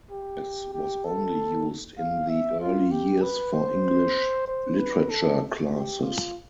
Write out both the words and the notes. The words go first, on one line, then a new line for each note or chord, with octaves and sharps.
This was only used in the early years for English Literature classes.
G4
G4
A4
F5
E5
F4
G4
B4
C5
C5
B4
A4
G4
F4